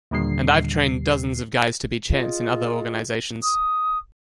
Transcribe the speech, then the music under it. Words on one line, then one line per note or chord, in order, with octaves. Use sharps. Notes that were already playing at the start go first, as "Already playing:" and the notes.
And I've trained dozens of guys to be champs in other organizations.
D#2 A#2 D3 G3 C7
F4 G#4 D#5
D#6